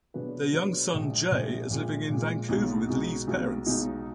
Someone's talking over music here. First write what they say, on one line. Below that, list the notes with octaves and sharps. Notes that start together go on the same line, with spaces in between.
Their young son, Jay, is living in Vancouver with Lee's parents.
B2 F#3 D4 G#4 B4
B2 F#3 D4 G#4 B4
A#1 A#2 G#3
A#1 A#2 G#3
A#1 A#2 G#3
A#1 A#2 G#3
B1 B2 G#3 D#4 F#4
B1 B2 G#3 D#4 F#4
B1 B2 G#3 D#4 F#4
B1 B2 G#3 D#4 F#4